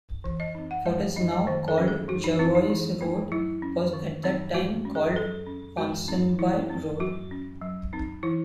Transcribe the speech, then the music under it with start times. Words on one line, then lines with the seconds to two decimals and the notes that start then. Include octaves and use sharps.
What is now called Jervois Road was at that time called Ponsonby Road.
0.24 E3
0.40 D#5
0.55 C4 D#4
0.71 F#5
0.86 G#3 E5
1.16 D#4 D#5
1.32 D#5
1.47 D#3 C5
1.68 A4
1.78 F#3 C#4
1.88 G#4
2.08 E3 F#4
2.24 D#4
2.39 C4 D#4 E4
2.55 D#4
2.70 E3
3.01 A3 D#4
3.32 F#3 E4
3.62 C#4
3.93 D#3
4.23 F#3 C4 D#4
4.54 G#3 F#4
4.85 C#4
4.95 G#4
5.16 F#3 A4
5.47 C#4
5.77 G#3 F#4
6.08 C4 D#4
6.39 E3 E4
6.70 A3 C4
7.00 F#3 F#4
7.31 C#4
7.62 F#3
7.93 C4 D#4
8.23 E3 E4